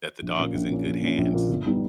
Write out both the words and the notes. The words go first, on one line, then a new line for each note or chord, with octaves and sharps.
that the dog is in good hands.
A#1
A#2 A#3 C#4
A#1
A#2 A#3 C#4
A#1
A#2 A#3 C#4
A#1
A#2 A#3 C#4
G1
G3 B3 D#4